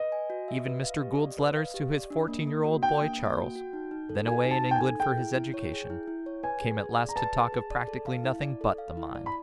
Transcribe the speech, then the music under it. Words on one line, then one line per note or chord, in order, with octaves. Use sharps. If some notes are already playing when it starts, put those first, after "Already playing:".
Even Mr. Gould's letters to his fourteen-year-old boy Charles, then away in England for his education, came at last to talk of practically nothing but the mine.
Already playing: B4 D#5
G#5
F#4
E5
B4
F5
G4
D5
B4
F5
G4
D5
D4
A#3
A#3
F#4
D4 G5
A#3
A#3
F#4
F#4
D#4
D#4
A4
F#4 G#5
D#4
A5
D#4
G5
A4 G#5
G#4 G5
E4
E4
C#5
G#4
E4
E4
C#5
B4 G#5
G#4
G#4
D5
A#5
B4 A5
G#4
G#4
D5
A4
F5
E4
D5
A4
F5
E4
D5
B5